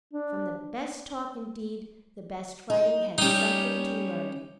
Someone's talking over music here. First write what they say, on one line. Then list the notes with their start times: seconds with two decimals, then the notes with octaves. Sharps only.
From the best talk indeed the best writing had something to learn.
0.13 D4
2.70 D#4
3.18 G3 C#4 D#4 G4